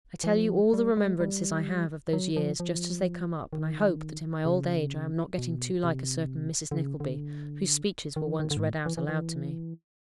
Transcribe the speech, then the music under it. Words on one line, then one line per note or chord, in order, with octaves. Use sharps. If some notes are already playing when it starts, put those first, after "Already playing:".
I tell you all the remembrances I have of those years just as they come up, and I hope that, in my old age, I am not getting too like a certain Mrs. Nickleby, whose speeches were once read out aloud to me.
E3
F3
G3
G#3
G3
F#3
F3
F3
D#3
C#3
B2
C3
D3
C#3
D3
D#3
E3
D#3
D3
G#2
A2
E3
E3
E3